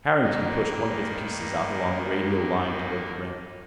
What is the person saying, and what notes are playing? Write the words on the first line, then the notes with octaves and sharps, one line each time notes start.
Harrington pushed one of his pieces out along a radial line toward the rim.
G2 D#3 A#3